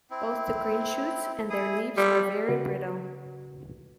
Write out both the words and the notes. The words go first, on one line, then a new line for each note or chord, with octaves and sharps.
Both the green shoots and their leaves are very brittle.
C4 E4
E4 G#4 D#6
G3 F4 A4
C#3 F#4 B4